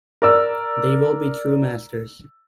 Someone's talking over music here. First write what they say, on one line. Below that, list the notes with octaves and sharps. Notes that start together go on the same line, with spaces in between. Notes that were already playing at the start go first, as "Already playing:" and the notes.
They will be true masters.
A#4 D5 E6